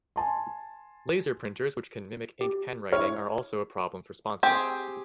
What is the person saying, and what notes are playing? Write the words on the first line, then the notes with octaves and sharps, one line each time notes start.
Laser printers which can mimic ink pen writing are also a problem for sponsors.
G#5 A5 C6
G4
E4 C#5 F6
C4 G4 G#4